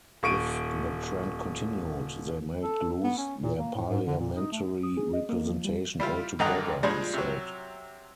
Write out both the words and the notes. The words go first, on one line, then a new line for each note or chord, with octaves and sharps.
If the trend continued, they might lose their parliamentary representation altogether, he said.
D#1 C#6 D7 D#7
A4
B3
C#4
A#2
A#3
A2
G#2
D3
A#2
D#4
A3
D#6
G#4
D#5
A#3
F3
G3
G3 E4 F4
G#1 G2 D3 D#5 F#5 A#5
A#2 F3 G3 G#3 D4
C3 F#3